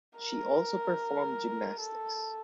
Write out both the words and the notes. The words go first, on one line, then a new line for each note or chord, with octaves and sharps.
She also performed gymnastics.
A#4
A4